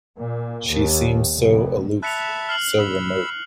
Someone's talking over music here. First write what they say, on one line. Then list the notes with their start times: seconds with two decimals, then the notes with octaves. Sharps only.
She seems so aloof, so remote.
0.18 A#2
0.68 D#2
1.36 F1
2.03 E5 A5 B5 F#6 C#7 F7
2.49 F6 C7 F#7
2.79 B5 E6